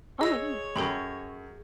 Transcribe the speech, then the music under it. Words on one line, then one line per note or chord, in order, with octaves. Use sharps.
Oh my goodness.
G#4 C#5 D#5 E6
F#2 A4 G5 B5